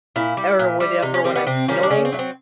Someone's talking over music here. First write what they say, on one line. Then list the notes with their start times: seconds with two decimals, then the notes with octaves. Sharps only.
or whatever when I'm feeling.
0.16 A#2 E4
0.37 G3
0.59 A#2
0.80 G3
1.02 C3 D#4
1.14 C#4
1.24 D#3 G3 C4
1.36 B3
1.46 C3 C4
1.68 D#3 G3 C#4
1.83 D4
1.90 C#3 C#4
2.05 C4
2.12 F#3 A3
2.19 C4